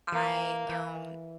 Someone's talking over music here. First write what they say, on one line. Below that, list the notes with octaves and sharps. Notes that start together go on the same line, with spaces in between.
I, um,
E3 A#3
E3